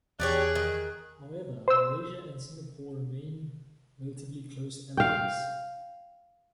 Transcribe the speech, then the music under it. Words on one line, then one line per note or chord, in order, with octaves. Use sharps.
However, Malaysia and Singapore remain relatively close allies.
E2 D4 G4 G#4 C#5 F#6
D#3
C5 E6
F5 G5